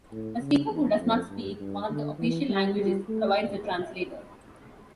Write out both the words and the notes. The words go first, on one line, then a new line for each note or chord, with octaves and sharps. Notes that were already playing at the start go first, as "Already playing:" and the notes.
A speaker who does not speak one of the official languages provides a translator.
A2
C#3
E2
F2
G2
G2
D3
E3
G3
G3
A3